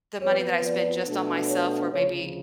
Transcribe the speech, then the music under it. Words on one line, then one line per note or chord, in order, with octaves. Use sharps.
the money that I spend just on myself where maybe
F2 F3 B3 C#5
D5
B2 A3 D4
C#5
D2 C#3 F3 C#5